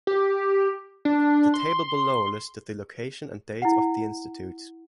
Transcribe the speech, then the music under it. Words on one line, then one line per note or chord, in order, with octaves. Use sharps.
The table below listed the location and dates of the Institutes.
G4
D4
C6
E4 F#5